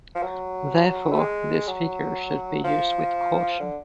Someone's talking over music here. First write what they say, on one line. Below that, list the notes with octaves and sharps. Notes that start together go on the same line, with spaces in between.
Therefore, these figures should be used with caution.
F3
F#3
A3
G#3
F#3
F3
D3